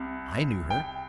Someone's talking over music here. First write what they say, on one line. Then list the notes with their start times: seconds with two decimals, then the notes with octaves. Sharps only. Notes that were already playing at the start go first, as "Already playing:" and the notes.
I knew her.
Already playing: C2 C3
0.70 G5